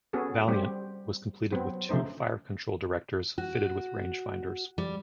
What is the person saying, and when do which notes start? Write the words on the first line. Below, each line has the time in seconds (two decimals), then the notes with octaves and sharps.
"Valiant" was completed with two fire-control directors fitted with rangefinders.
0.13 B3 C#4 F#4 G#4 A4
0.48 G3 C4 G4
1.52 F#3 B3 C4
1.89 C#3 F3 A3 D#4 C5
3.38 F#4
4.78 G3